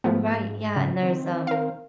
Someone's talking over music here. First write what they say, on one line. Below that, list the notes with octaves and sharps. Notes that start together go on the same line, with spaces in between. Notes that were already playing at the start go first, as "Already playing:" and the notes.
Right, yeah, and there's, um
G#2 F3 A3 B3
C#3
D#3 C4
A#4 F5